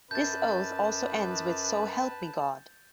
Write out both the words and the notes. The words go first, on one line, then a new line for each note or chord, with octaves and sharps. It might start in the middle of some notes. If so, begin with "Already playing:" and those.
This oath also ends with So help me God!
F#2 B4 A5 G6 A6